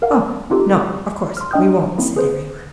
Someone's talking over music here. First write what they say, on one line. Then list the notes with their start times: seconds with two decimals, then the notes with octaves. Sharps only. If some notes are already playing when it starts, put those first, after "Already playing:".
'Oh, no, of course we won't!' said everyone.
0.02 A#4 F5 F#5
0.50 C4 D#4 F4 G4 A4
1.37 C6 F6
1.51 D4 D#5 G5 D#6 F6 G6
1.98 A#3 C4 C#4 E4
2.16 G#4 B4 C5